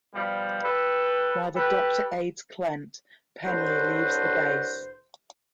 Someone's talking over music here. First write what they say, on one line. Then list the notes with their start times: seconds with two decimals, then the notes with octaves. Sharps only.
While the Doctor aids Clent, Penley leaves the base.
0.14 B2 F3 G3
0.63 G4 A4 B4
1.55 G4 A4 B4
3.45 C2 A2 D3 F#4 B4 C5